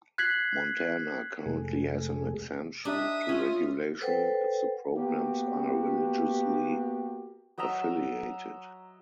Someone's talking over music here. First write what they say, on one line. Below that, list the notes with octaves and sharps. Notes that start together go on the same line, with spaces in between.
Montana currently has an exemption to regulation if the programs are religiously affiliated.
F#6 G#6 B6 C7 F#7
F2 C3 G#3 A3 G#4
D4 D#4 G4 E5 D#6
C#4 F4
A4 B4 C5 F#5 G5
A#3 B3 F#4 G4
F#3 D#5 E5 A#5